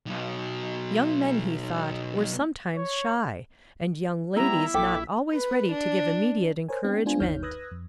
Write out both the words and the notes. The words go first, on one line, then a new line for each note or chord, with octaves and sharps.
Young men, he thought, were sometimes shy, and young ladies not always ready to give immediate encouragement.
B1 B2
C#5
G3 B3 E4 A#5
A#1 A4 G5 D6 B6
B4
D4
A#4 C5 C#5 G#5
B3 C4 D4 G5
G#3 B3 D4 F4 C5 G#5
G1 D#2 D#4 C#5 F6 G6
B4 D#6 E6 F#6 G#6 A#6
F2